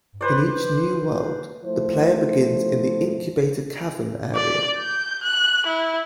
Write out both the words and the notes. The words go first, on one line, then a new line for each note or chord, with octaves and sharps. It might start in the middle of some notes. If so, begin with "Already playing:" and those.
In each new world, the player begins in the incubator cavern area.
B4 C5 D5
F3 A3 E4 C5
D5
G6
F#6
E4